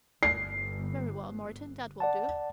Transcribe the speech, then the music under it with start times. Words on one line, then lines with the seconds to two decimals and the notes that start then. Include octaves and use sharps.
"Very well, Morton, that will do."
0.23 G1 C7
2.00 D5 F#5 A5